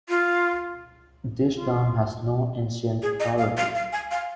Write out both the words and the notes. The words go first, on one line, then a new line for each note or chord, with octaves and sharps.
This term has no ancient authority.
F4
F4
G#4
D#5
F5
F5
F5
G#5
F5